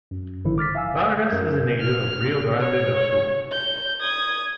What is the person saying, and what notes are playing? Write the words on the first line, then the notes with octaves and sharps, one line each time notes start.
Vargas is a native of Rio Grande do Sul.
F#2
A1 G#2 D3 D#3 F3 E4
D6 F6 A6 B6
E5 F5 G#5 E6
F#2 A#4 G6 G#6
F6
C#5
G6
D#6 G#6